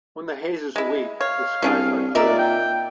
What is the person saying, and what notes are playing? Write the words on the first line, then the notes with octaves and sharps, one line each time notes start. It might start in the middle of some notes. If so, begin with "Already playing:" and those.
When the haze is weak, the skies are clear.
G#3 E4
C#5 F5
C2 C#4 D4 G#4
A#2 D#4 A#4 D5 E5
G5